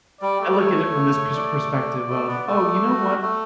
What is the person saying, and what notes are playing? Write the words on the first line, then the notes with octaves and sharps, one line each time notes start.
I look at it from this pers perspective of, "Oh, you know what?
G3 D5
A3
G3
A3 C#5
D5
D5
A3
B3
A3 D5
F#4
A3